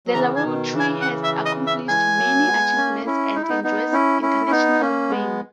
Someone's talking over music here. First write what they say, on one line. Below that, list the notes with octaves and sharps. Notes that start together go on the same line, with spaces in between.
The Laboratory has accomplished many achievements and enjoys international fame.
F#3
C#3 E3 A#5
E3 G#5
B2 D#3
C#3 E3
G#5
F#5
E5
D#5
E5
E3 G#3 G#5
F#3 A#3
G#3 B3
A#3 C#4
C#4 E4
D#4
E4
B3 D#4
B3 D#4
C#4 E4
C#4 E4
C#4
B3 D#4
A#3 C#4
G#3 B3